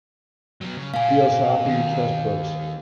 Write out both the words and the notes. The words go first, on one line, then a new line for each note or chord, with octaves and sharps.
Theosophy Trust Books.
F#3 B3
C#3
A#2 A#3 F5 G#5
D#2